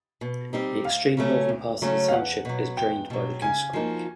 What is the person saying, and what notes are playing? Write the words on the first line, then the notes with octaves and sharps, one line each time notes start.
The extreme northern part of the township is drained by Goose Creek.
B2
G3 C4 D#4 G4
D2 F5
C#3 F#3 A3 C#4
D2
C#3 F#3 A3 C#4
F5
E2 F#5
B2 F#3
E2 G5
B2 F#3
C#3 G#5
F3 A#3 D#4 F#4